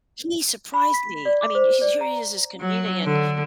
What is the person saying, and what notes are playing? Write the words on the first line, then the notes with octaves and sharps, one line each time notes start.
he surprised me. I mean, he's here he is this comedian
B5
B6
D5
D6
C5
D5
A#5
F#3
D3